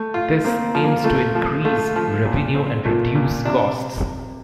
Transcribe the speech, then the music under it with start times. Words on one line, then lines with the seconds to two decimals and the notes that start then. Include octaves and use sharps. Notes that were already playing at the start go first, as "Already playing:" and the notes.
This aims to increase revenue and reduce costs.
Already playing: A3
0.14 F4
0.44 A#3 C4
0.75 F3
0.84 A#3
1.04 A3 F4
1.35 F3
1.65 A3 F4
1.96 F3
2.25 A#2
2.55 C4
2.85 A#2 A3
3.15 A#2
3.45 C3 D4